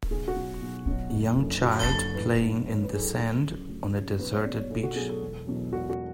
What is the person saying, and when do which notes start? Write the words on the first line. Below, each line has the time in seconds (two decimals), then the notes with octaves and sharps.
Young child playing in the sand, on a deserted beach.
0.10 B1 G#4
0.28 F#4
0.36 B2 F#3
0.62 B1
0.87 B2 F#3
1.13 F#1
1.38 F#2 D3
1.64 F#1 F#4
1.90 F#2 D3
2.15 A1 B4
2.41 G#2 F#3
2.66 A1 C#5
2.83 B4
2.91 G#2 F#3 G#4
3.00 A4
3.17 D2
3.43 C#3 F#3
3.68 D2
3.93 C#3 F#3
4.19 B1 B4
4.32 C#5
4.45 B2 F#3 D5
4.58 C#5
4.70 B1 A4
4.83 F#4
4.91 A4
4.96 B2 F#3 G#4
5.09 A4
5.22 E1
5.47 E2 B2 F#3
5.72 E1 F#4
5.90 F#4